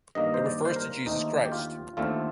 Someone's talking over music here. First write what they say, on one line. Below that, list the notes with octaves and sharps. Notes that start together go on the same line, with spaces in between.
It refers to Jesus Christ.
G2 D#3 A#3 D#5
C5
D5
C5
A#4
D#2 D3 A3 C4 D#4
G4
F4
D#2 D3 A3 C4 F4